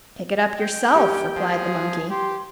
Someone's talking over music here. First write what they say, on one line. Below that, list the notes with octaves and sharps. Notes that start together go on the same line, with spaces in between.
"Pick it up yourself," replied the monkey.
G5
E2 A#3 C#4 G4
F3 G#4
G4 C6